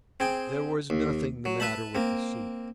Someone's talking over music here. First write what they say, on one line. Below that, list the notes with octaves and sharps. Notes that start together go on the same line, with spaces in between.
There was nothing the matter with the soup.
C4 G#4 G5
D#2
F#3
B4 E5 A5 B5
A#3 C4